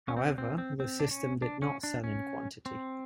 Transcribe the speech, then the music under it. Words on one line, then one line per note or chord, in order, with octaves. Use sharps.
However, the system did not sell in quantity.
C#4
C4
C4
C4
C4
D4
C#4
D4
C#4
D4
C#4
C4